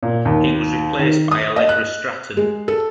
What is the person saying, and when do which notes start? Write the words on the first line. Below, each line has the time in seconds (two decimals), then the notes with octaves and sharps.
He was replaced by Allegra Stratton.
0.03 A#2
0.25 D#2
0.99 D#3
1.31 D#6
1.56 D#5
1.69 F#6
2.37 G#3
2.68 A4